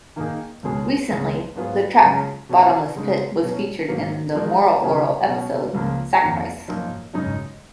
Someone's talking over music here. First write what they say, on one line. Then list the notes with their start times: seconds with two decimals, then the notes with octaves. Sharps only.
Recently, the track "Bottomless Pit" was featured in the Moral Orel episode "Sacrifice".
0.16 D#3 A#3 D#4 G#4
0.63 C#2 B2 G#3 C#4 G#4
1.09 C#2 C#3 G#3 C#4
1.55 G#2 F#3 B3 F4 G#4
2.02 F#2 C#3 G#3 C#4 F4
2.49 B2 F#3 C#4
2.96 C#3 G#3 D#4
3.41 B2 F#3 C#4
3.88 G#2 D#3 F#3 A#3
4.34 F3 G#3 D#4 F#4 A#4
4.81 C#3 F#3 B3
5.27 B2 F#3 C#4
5.74 C#2 C#3 F3 A#3
6.21 F2 D#3 A#3
6.68 F#2 F3 A#3 D#4
7.14 F#2 C#3 G#3 D#4